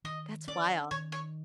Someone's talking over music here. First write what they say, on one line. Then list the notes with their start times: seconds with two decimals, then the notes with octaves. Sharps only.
That's wild.
0.04 D#3 D#5
0.48 C#4 D5
0.91 D#3 C#5
1.12 C#5